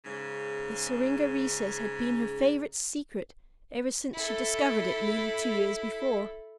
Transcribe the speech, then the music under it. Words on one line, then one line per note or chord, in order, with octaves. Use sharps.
The syringa recess had been her favorite "secret" ever since she discovered it, nearly two years before.
G#2 C#3
E4 A4